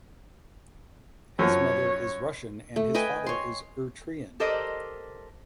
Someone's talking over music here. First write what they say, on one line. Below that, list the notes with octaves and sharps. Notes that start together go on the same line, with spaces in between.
His mother is Russian and his father is Eritrean.
F#2 F3 C#5
A3
B4 D#5 G5 G#5
C#5 C6
G4 A4 A#4 C5 D5 D#5